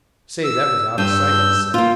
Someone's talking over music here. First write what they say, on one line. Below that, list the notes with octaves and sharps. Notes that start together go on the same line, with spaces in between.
"Say, that was out o' sight," he said.
E6
G2 E6 G6
A#3 F4